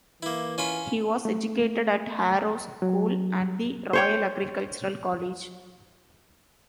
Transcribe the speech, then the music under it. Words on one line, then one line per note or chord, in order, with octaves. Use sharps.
He was educated at Harrow School and the Royal Agricultural College.
E3 A#3 E4
C#4 F4 B5
A3
F#3
C5 C#5 G5